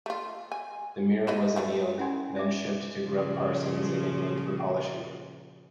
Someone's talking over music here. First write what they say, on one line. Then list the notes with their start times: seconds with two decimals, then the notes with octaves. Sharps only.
The mirror was annealed, then shipped to Grubb-Parsons in England for polishing.
0.06 A3 F4
0.52 G#5
1.27 A#3 B4 D#5
1.56 D3 E3 A3
1.98 C#4 E4 F4 F#5 G#5 C6
2.36 E5 D6
3.04 A#2 C#3 F3